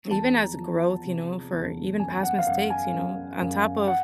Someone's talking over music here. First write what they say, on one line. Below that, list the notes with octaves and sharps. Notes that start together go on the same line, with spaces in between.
even as a growth, you know, for even past mistakes, you know, on top of
E2 A5
A#5
F3
C3
E2
F#2 G#5
F#5
F5
F#2 F#5
G#5
F#2
F#2
F#5